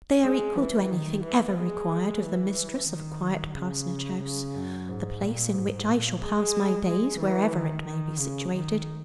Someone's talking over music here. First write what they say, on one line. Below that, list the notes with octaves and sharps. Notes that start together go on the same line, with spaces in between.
They are equal to anything ever required of the mistress of a quiet parsonage-house--the place in which I shall pass my days, wherever it may be situated.
G#3
E3
D#3
E3
G#3
E3
D#3
C#3
C#3
F#2
G#2
A#2
G#2
A#2
G#3
G#3
E3
D#3
D#3
C#3
D#3